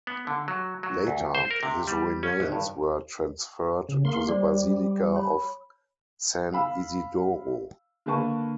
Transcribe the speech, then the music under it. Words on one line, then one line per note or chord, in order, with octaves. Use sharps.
Later, his remains were transferred to the Basilica of San Isidoro.
B3
D3
F#3
F#3
D2
C5
A#4
C3
G3
C#4
G#1
G2
C#3
A#3 C6
G3 C5 D5
C#5 B5
F5 B5 E6
D3 A#3 D4 B4 A5 C#6